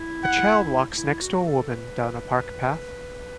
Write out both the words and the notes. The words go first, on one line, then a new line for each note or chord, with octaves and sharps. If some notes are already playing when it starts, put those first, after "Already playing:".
A child walks next to a woman down a park path.
Already playing: E4
F#5
E4
F#4
A4
B4